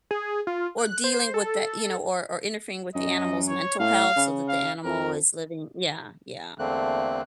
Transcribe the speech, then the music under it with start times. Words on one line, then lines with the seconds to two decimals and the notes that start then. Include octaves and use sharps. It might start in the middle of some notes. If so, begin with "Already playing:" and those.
Or dealing with that you know, or or interfering with the animal's mental health so that the animal is living Yeah, yeah.
0.11 G#4
0.47 F4
0.78 F#6
1.04 C5
1.34 A4
2.95 F#2 D#5
3.48 C#5
3.80 A2 F5
4.16 C#3
4.49 F5
4.84 F2 A#4
6.59 E2 D3 A3 A#3 C4 F#6